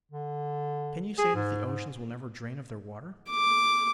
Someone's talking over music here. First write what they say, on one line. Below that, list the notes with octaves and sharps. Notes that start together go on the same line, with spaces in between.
Can you say that the oceans will never drain of their water?
D3
G#4
G#2
G#2
D6